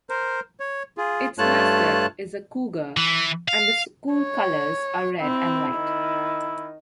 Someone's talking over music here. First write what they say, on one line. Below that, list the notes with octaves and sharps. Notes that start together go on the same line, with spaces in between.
Its mascot is a cougar, and the school colors are red and white.
A#4 C5
C#5
F4 G#4
G2 A3 F4 C#5 A5 F#6
E3
F5
C#5
C4 E4
D#3